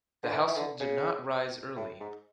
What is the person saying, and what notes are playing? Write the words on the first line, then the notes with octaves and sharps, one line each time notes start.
The household did not rise early.
D3
E3
E3
D3
C#3
A2
G#2